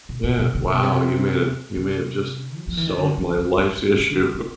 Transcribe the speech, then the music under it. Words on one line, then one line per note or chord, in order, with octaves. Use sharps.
Yeah, wow. You may have you may have just solved my life's issue.
B2
A#2
B2
C#3
C3
B2
C3
C3
F#3
F3
E3
D#3
D3
E3
F#3
F#3
G3
G#3
G#3
G#3